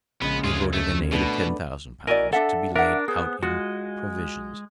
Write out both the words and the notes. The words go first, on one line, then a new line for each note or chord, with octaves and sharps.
They voted an aid of ten thousand pounds, to be laid out in provisions.
A#1 C#3 G#3 B3 F#5
D2 F4 G#4
A3
B2 A3 B3 D4
E4 F#4 A#4 D5 D#5 G#5
D4 A4 E5 F#5
D4 A#4 E5 F#5
B3 G#4 C5
G#3 F4 F#4